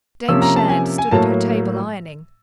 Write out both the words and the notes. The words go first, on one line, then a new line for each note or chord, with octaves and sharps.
Dame Shand stood at her table ironing.
C3 F3 A#3 C#4 E6
A#5
A5
G#5
G#5
A2 F#3 A#3 A5